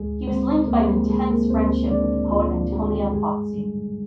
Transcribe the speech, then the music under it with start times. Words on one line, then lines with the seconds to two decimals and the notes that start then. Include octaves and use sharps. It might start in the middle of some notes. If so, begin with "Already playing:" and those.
He was linked by an intense friendship with the poet Antonia Pozzi.
Already playing: D2 G#3 G#4
0.27 D3 G#3 C4 C5
0.68 D2 A#3 A#4
0.80 G4
0.89 G#3 G#4
1.09 D3 G#3 G#4
1.30 A#3 A#4
1.50 D2 C4 C5
1.90 D3 G#3 D4 D5
2.31 D2 F4
2.72 D3 G#3 G4
2.82 G#4
2.90 G4
3.12 G2 G#3 G#4
3.54 D3 G3